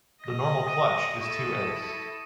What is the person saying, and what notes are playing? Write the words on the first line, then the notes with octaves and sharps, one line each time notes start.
The normal clutch is two eggs.
D#5 A#6
D#6 A#6 D#7
E4 A4 C#6 D#7 E7